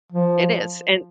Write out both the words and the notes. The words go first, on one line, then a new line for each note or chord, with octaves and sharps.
It is, and
F3